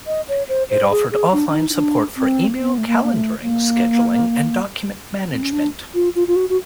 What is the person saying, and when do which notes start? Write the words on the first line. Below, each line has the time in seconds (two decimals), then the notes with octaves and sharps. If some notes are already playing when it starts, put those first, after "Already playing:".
It offered offline support for email, calendaring, scheduling, and document management.
0.07 D#5
0.28 C#5
0.48 C5
0.70 C5
0.91 G#4
1.11 G#4
1.32 D4
1.49 D4
1.54 D#4
1.70 D#4
1.75 D4
2.17 C4
2.58 B3
2.78 A3
2.87 A#3
3.03 A#3
3.14 A3
3.42 A#3
5.31 C4
5.42 C#4
5.52 D4
5.94 F4
6.15 F4
6.27 F4
6.36 F#4
6.49 F#4